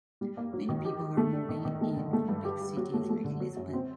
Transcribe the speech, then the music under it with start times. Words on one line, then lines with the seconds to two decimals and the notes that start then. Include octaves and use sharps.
Many people are moving in from big cities like Lisbon.
0.21 G3
0.37 A#3
0.53 F#3
0.69 D#3
0.85 G4
1.01 G4
1.17 A3
1.33 D4
1.49 D#3
1.65 D#3
1.81 A3
1.97 D3
2.13 A3
2.28 G2
2.45 G4
2.61 G4
2.77 F#3
2.93 A3
3.09 A3
3.24 D3
3.40 F#3
3.57 F#2
3.73 C4